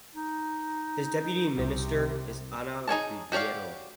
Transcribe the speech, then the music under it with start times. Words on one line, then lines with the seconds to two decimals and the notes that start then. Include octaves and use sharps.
His Deputy Minister is Ana Ribeiro.
0.16 D#4
1.55 C2 C3
2.88 D#4 G#4 C#5 A5
3.32 F#4 G4 C#5 D5 F5